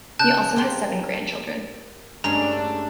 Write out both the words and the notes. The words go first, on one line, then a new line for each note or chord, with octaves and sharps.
He also has seven grandchildren.
C#3 A5 F#6 G6
A#3 G4 C6
G2 G#3 A3 C#4 D4 A#5